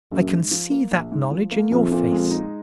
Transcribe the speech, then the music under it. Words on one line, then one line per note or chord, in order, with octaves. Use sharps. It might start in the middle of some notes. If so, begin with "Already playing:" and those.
I can see that knowledge in your face.
A#1 F#2
G#2
F3
A#3
A#1
G#2
F3
A#3
A#1 F2
A#2
G#3
D#4